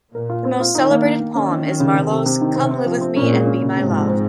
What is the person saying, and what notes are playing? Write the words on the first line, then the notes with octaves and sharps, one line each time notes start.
The most celebrated poem is Marlowe's 'Come live with me and be my love'.
A#2 A#4
F4
C4
F4
D#3 D#4
A#3
A#3
A#3
D#3 C#4
C#4
C#4
C#3
C3
C3
C3
D#3
C3 C4
C4
F3
C4
A#2 C#4
G#3
C#4
C#3
G#2 C3
F3
C4